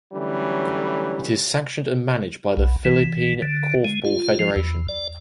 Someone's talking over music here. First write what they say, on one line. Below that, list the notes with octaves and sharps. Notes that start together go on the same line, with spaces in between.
It is sanctioned and managed by the Philippine Korfball Federation.
D3 E3 F#3 G3 A3 C#4
B1
E3
D3
G#3
F4
F3
E2
D5